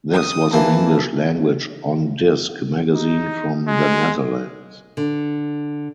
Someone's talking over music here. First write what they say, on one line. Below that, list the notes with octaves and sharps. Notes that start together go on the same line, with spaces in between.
This was an English-language on-disk magazine from the Netherlands.
D#6
E3 A#3 A5
D#4
G#3
D3